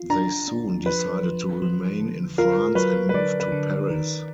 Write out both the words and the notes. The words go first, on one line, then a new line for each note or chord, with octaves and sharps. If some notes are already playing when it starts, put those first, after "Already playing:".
They soon decided to remain in France and moved to Paris.
Already playing: F4
D4 A#5
D4
F3 B4
F3
F3
D3
F4 A#4
F#3 B4
B4
D3 D5
B4
D3
D#3